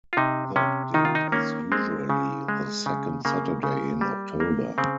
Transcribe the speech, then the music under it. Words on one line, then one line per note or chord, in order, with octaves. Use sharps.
The date is usually the second Saturday in October.
F4
C3 D#4
C3 C#4
D#3 D#4
F4
D#4
A#3 C#4
G#3 C4
C#3
G#3
C#3
C#3 A#3
C#3
G3
A#3
C#3 C4